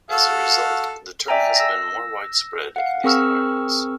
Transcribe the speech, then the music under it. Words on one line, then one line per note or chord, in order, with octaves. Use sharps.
As a result, the term has been more widespread in these environments.
F#4 A4 F5
D5 E5 G5 G#5 A#5
E6 A#6
F5 F#5
C4 G#4 A#4 C#6 E6 F6